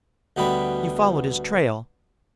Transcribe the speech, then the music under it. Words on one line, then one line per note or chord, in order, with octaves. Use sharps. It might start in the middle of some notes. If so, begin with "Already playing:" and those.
"You followed his trail?"
D2 B2 G3 B5